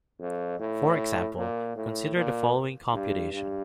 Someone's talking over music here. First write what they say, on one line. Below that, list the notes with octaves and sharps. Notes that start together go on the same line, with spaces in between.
For example, consider the following computation.
F2
A2
A#2
A2
A#2
G2
G2